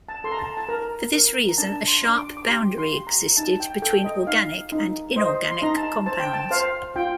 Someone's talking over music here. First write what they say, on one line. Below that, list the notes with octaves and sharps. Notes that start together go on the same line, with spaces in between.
For this reason a sharp boundary existed between organic and inorganic compounds.
A5
A4 C6
A#5
A5
A5
A#4 A#5
A#4
A#5
D4 A5
C6
D4
D6
D6
G4 C6
C6
G4
A#5
D#4 A5
G5
A4 G5
D#5
D#4 F5
D#4
C5 D#5
C6
D#4 A#5
A5
C5 A5
G5
A5
C5 F5
F4 G5